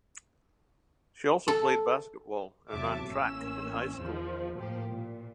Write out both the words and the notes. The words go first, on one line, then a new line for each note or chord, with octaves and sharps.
She also played basketball and ran track in high school.
A4
E2 C3 F#3 E5 A5 D6
A1 A#3 C#4 E6
E2 D#3 F3
A2 F3 A#3 G4
A#2